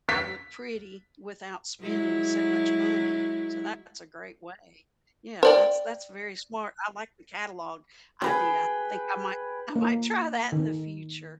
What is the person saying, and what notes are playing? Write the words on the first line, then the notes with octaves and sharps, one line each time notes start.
"I look pretty" without spending so much money. So that that's a great way. Yeah. That's that's very smart. I like the catalog idea. I think I might I might try that in the future.
B6
F#3 G#3 E4
C5 D5 G5
G#4 B4 G5
A#3
D#3